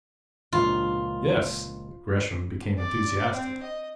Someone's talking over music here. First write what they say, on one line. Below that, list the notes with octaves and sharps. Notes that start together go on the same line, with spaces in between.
"Yes!" Gresham became enthusiastic.
C#2 A#2 F3 F4
D5
C4
D#5